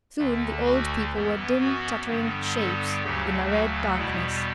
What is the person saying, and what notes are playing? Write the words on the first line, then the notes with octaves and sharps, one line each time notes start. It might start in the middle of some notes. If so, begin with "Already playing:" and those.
Soon the old people were dim chattering shapes in a red darkness.
D2 D3 A3
F#4
F#2 E3 B3
F#4
G2 D3 G3 B3
A4
D2 C#3 F#3 A3 G4
F#4
E2 B2 G3 B3 E4